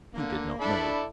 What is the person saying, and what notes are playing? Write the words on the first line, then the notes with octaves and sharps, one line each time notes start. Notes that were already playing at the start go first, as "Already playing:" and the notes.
He did not know.
D3 A#3
D4 E4 A4 D5 B5